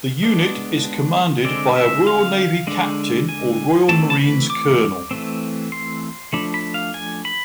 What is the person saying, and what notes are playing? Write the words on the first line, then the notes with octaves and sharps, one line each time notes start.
The unit is commanded by a Royal Navy Captain or Royal Marines Colonel.
G#3 B3 D4
D3 G#3 C4 D5
E5
F5
D3 G#3 D4
G#5
E3 A3 C4 A5
A5
B5
D6
E3 A3 C4
C6
F3 A3 D4 B5
B5
F5
G#5
B5